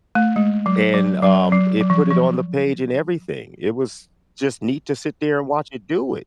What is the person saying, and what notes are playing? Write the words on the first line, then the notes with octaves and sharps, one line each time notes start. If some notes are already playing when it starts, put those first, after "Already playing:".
and, um, it put it on the page and everything. It was just neat to sit there and watch it do it.
A3
G#3
F#3
F#3
F#3
F#3
F#3
F3
F3